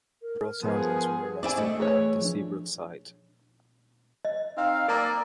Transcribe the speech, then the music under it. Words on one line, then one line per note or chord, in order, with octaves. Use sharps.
Several thousands were arrested at the Seabrook site.
A#4
F3 B3 G#4
C4 D4 E4 D5 G#5
A3 D#5
E3 G#4 B4 C#5
F3 D4
D#5
C4 D#4 F5
A#3 A#4 D5 A#5 E6